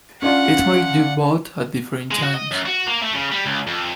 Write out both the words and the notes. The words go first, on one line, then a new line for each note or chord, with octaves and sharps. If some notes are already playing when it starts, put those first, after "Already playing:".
It might do both at different times.
C#4 D4 F4 F#5
G#3
F#4
D#5
F#2
F#4
A#3
A3
C#3
G3
C#2
F2